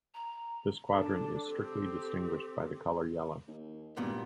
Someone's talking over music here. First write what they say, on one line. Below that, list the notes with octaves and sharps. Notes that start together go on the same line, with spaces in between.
This quadrant is strictly distinguished by the color yellow.
A#5
D4 A4
C4 G4
D#2
G#1 G2 A#2 B3